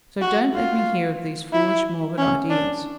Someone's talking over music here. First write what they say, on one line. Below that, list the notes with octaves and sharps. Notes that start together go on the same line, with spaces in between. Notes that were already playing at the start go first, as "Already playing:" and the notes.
So don't let me hear of these foolish morbid ideas.
F#4
F4
E4
C#4
D4